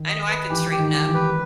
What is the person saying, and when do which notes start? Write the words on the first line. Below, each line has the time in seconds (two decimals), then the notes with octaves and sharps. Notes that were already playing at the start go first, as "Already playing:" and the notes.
I know I could straighten up.
Already playing: D#3
0.08 D#5
0.29 B4
0.50 E3 G4
0.71 G4
0.78 D#3
0.93 G4
1.07 E3
1.14 B4